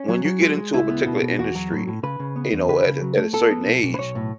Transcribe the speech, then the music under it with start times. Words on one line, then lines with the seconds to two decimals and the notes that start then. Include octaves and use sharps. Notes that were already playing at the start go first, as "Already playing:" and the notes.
when you get into a particular industry, you know, at a at a certain age,
Already playing: C#4
0.09 F#3
0.25 F#3
0.41 G#3
0.57 G#3
0.73 C#2 E4
0.90 B3
1.06 B2
1.22 B2
1.38 E2 F#4
1.55 F#3
1.71 A2
1.87 A2
2.03 C#3 B4
2.20 C#3
2.36 B3
2.53 E2
2.69 C#3 B4
2.85 C#3
3.01 F#3
3.17 A3
3.33 B3 A4
3.50 B3
3.66 B1
3.83 B1
3.94 B4
3.99 B1 C#5
4.15 A2